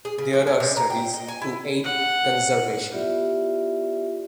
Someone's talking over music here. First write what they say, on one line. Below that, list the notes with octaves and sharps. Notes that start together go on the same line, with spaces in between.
There are studies to aid conservation.
G#4
C#3
F3
C#4
C3
A#5
G5
D#5
G#5
E4
F#5
B3 E4 F4 G4 D5 E5